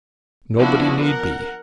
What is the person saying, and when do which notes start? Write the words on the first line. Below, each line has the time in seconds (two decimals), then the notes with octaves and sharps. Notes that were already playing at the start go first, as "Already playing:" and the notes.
'Nobody need be.
0.57 F3 B3 D4 E4 F#4
1.03 A#4 F#5